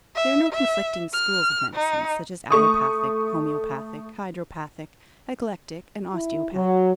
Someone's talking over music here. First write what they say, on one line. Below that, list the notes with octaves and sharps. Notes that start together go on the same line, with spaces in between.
There are no conflicting schools of medicines such as Allopathic, Homeopathic, Hydropathic, Eclectic and Osteopathic.
E5
E5
F6
D#4
A3 C#6 D#6
E4
F#3